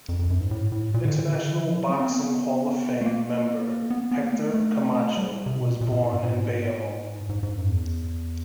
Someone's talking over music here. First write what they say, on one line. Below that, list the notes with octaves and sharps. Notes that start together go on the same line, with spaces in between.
International Boxing Hall of Fame member Hector Camacho was born in Bayamon.
F2
F2
F#2
G#2
A2
A2
A#2
D3
D#3
D3
C#3
D3
E3
F3
F#3
C4
C4
B3
A3
A#3
B3
B3
A#3
A3
A3
G3
C3
B2
A#2
A#2
A#2
A2
G2
A#2
A2
G#2
G#2
G#2
F#2
E2